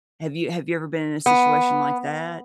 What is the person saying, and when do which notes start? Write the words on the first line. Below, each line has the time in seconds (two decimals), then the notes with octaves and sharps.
Have you have you ever been in a situation like that?
1.26 B3